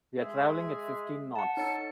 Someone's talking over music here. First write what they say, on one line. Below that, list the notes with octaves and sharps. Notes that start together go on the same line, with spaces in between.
We are travelling at fifteen knots.
G#3 G#4 E5
F#5 A5
D#4 A4 C#5 A5 C#7